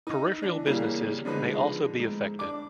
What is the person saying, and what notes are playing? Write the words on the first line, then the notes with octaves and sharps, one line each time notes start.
Peripheral businesses may also be affected.
D#4
E3 D4
C#3 E3 G3 A#3
D3 F3 G#3 D#4 B4 C5
G#2
D4 D6